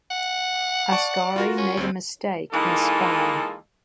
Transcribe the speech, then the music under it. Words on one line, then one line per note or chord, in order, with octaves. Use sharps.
Ascari made a mistake and spun.
F#5
D5 A5 C#6
F4 F#4 A#4
C#4
D2 C4
E3 G#3 A#3 D#4 F4 A4